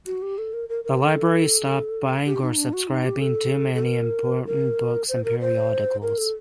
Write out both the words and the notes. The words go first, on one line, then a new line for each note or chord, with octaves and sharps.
The Library stopped buying or subscribing to many important books and periodicals.
F#4
G4
A4
A#4
A#4
A#4
A4
G4
D#4
D4
F#4
D#4
G4
A4
A4
A#4
A#4
C5
A#4
C5
A#4
A4